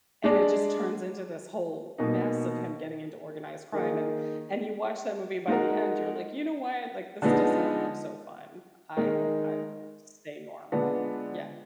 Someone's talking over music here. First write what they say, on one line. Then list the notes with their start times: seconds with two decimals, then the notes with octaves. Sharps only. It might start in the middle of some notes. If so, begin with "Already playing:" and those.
and it just turns into this whole mess of him getting into organized crime and and you watch that movie and by the end you're like, "You know what, like, this doesn't look so fun. I think I will stay normal." Yeah.
0.24 G#3 D4 G#4 D5
1.98 B2 A#3 D#4
3.73 D#3 A#3 D#4 G#4
5.48 G#3 D#4 F#4 A#4
7.22 D3 F3 G#3 B3 D#4
8.97 D#3 G#3 D#4 A#4
10.72 D3 G#3 B3 D4 F4